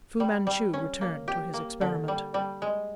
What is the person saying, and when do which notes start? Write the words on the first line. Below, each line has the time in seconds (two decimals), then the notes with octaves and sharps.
Fu-Manchu returned to his experiment.
0.20 G3
0.47 G3
0.74 C#4
1.01 A#3
1.28 G4
1.54 A#3
1.81 D3
2.08 G3
2.34 G3
2.62 G#3